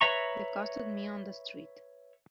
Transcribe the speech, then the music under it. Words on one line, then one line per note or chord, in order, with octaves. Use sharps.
He accosted me on the street.
B4 C#5 E5 A#5 C#6